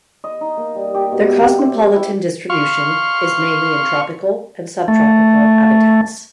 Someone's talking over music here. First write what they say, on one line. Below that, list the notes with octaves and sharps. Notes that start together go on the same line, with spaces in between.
Their cosmopolitan distribution is mainly in tropical and subtropical habitats.
D#5
D#4
A#3
G3
G4
B2
E5
G4
C5
C#4
E4
F5 C6 C#6
A3